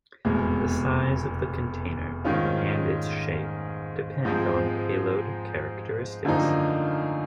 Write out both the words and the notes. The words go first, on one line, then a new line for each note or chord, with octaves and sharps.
The size of the container and its shape depend on payload characteristics.
F1 E2 B2 G#3
G#2 D#3 G#3 C#4 F4
G#2 F3 G#3 C4
F#2 D3 F3 A#3 D#4